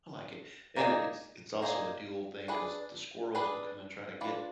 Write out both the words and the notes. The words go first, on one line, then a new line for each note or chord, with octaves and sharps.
I like it, and it it's also a dual thing 'cause the squirrels will come and try to get
A#3 D#4 G#4 D5
A#3 D#4 G#4 D5
D4 G#4 B4
D4 G#4 B4
D4 F4 B4 D5